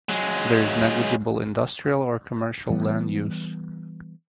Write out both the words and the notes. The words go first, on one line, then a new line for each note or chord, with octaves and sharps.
There is negligible industrial or commercial land use.
F#3 G#3
E3 G3 B3